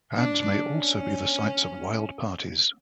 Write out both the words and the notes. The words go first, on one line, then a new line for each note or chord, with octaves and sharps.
Pads may also be the sites of wild parties.
D4
C#4